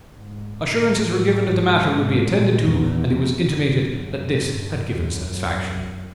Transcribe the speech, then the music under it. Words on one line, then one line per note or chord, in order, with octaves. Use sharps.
Assurances were given that the matter would be attended to and it was intimated that this had given satisfaction.
G#2
A2
A2
G#2
G#2
A#2
E2
F2
F#2
F#2
G2
F#2